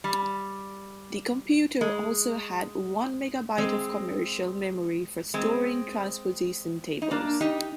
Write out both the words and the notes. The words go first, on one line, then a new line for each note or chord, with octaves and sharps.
The computer also had one megabyte of commercial memory for storing transposition tables.
G3
G#3
G#3 C4
G#3 C4
D#4
A#3 D4
D#4 G4